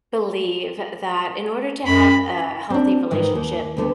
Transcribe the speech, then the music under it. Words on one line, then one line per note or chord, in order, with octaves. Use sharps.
believe, that in order to have a healthy relationship,
F#2 B5
C4 D4
G#2 D#3 E3
D#2
D2 D3 B3